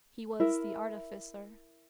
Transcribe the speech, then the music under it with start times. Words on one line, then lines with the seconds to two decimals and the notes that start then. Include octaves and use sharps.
He was the artificer.
0.40 E4 A#4 E5